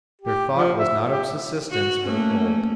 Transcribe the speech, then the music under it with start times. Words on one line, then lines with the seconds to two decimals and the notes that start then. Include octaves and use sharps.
Their thought was not of subsistence, but of gold.
0.21 G4
0.54 F3
0.79 E5
1.10 G4
1.71 F#4
2.04 A3 A#3 C#4